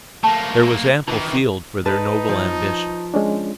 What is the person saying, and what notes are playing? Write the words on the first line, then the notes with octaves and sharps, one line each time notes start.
There was ample field for their noble ambition.
A3 A#3 A5
D#3 E3 D4 D#4 F4
D#4 B4 A5
F3
G#3 C#4 D4